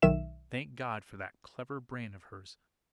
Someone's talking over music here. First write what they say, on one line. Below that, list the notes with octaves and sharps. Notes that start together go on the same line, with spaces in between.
Thank God for that clever brain of hers!
B1 D#3 E5 E7